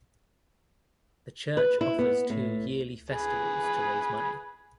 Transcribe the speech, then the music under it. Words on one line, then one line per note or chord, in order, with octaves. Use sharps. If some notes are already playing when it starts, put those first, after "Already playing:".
The church offers two yearly festivals to raise money.
B4
E4
B3
A2
G#4 B4